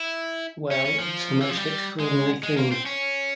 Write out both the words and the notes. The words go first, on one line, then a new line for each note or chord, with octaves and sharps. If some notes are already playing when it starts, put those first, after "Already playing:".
Well, it's the most extraordinary thing.
Already playing: E4
C#4
C#4
F3
E3
F3
G3
G#3
G#3
A#3
C4
C#4